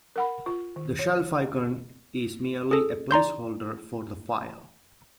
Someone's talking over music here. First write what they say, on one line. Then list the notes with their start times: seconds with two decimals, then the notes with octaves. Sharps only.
The Shelf icon is merely a placeholder for the file.
0.16 A#4 F#5 B5
0.46 F4
0.76 D#3
0.99 C#5
2.71 G#4 A4
3.11 D5 A#5 C6 G6